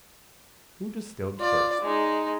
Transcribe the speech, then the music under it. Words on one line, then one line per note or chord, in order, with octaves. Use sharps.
Who distilled first?
F4 D5
G#3 D#4